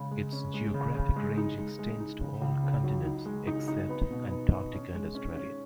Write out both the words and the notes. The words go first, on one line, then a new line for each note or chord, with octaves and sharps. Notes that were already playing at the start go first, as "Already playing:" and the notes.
Its geographic range extends to all continents except Antarctica and Australia.
Already playing: C#3 G#3
G#3
C#4
G#3
C#3
C#3
G#3
D#4
G#3
G#3
D#4
C#3
C#2
C#3
F#3
D#4
G#3
D#4
D#4
B3
B2
B3
B3
C#4
G#3
C#4
C#4